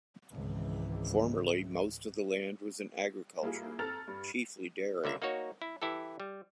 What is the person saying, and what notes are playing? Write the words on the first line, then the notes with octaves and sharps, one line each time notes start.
Formerly most of the land was in agriculture, chiefly dairy.
G#1 C#2 E3
G3 A#3 E4 F4 G#4
C4 A4 A#5 F6 A6 F7
G2
C#2 D3 A#3 E5
A#3 D#4 F#4 C#5
E4
E3 E4 G4 A4
G3